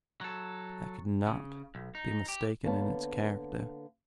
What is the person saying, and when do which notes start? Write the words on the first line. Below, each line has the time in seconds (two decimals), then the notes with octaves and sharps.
I could not be mistaken in its character.
0.21 F#3 A4
1.27 C#3
1.75 B1
1.95 D#4
2.29 G4
2.64 D3 A#3 B3 B4 C#5 A5